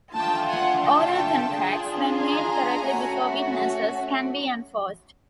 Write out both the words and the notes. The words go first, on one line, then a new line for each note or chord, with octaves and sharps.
Oral contracts, when made correctly before witnesses, can be enforced.
A3 D4 F4 G5 A5
F#5 G#5
G5 A5
D4 F4 G#4
G#5 A#5
A3 C#4 F#4